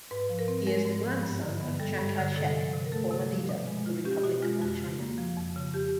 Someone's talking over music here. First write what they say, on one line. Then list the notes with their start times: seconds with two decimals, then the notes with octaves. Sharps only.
He is the grandson of Chiang Kai-shek, former leader of the Republic of China.
0.11 G#2 B4
0.29 F3
0.39 A#4
0.48 C4
0.67 G#3 A#4
0.86 G#2
1.05 F3
1.23 G2
1.42 D3
1.61 B3
1.80 G3 A4
1.98 G2
2.18 D3
2.36 C3 A4
2.55 F3
2.74 C3
2.86 A#4
2.92 A3 A4
3.11 C3
3.30 F3
3.49 B2
3.67 G#3
3.86 F4
4.05 C#4 G4
4.24 B2 F#4
4.42 G#3 F4
4.61 F2 F#4
4.80 C#3
4.99 A#3
5.18 F3
5.37 F2
5.56 C#3
5.74 F2 G4